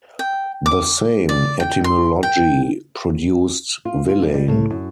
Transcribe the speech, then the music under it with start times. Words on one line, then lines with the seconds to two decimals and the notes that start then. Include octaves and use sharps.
The same etymology produced villein.
0.19 G5
0.66 D6
1.29 D5
1.60 G5
1.84 C6
2.23 G5
3.85 F4
4.08 F4
4.22 G3
4.34 G3
4.48 A2
4.70 F#2